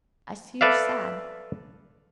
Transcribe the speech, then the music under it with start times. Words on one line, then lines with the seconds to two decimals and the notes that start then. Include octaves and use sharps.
I see you're sad....
0.61 A4 B4 D5 E5 F5